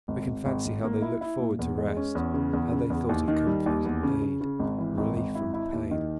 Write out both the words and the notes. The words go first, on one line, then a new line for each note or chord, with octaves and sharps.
We can fancy how they looked forward to rest; how they thought of comfort, aid, relief from pain.
G#1
G#1
G#1
G#1
A#3
E4
E4
A#2
E2
G#3
C#4
E2
C#3
E2
C#3
E2
D#2
D#3
G3
D#2
E2
C#3
C#3
C#3
G#1
E3
G#1
G#1
E4
E4
D#2
D#3